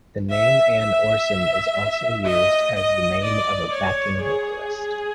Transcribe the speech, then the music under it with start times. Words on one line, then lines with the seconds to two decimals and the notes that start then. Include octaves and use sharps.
The name Ann Orson is also used as the name of a backing vocalist.
0.30 E5
0.79 E5
2.25 D#5
2.75 D#5
3.23 D5
3.73 C#5
4.21 G#4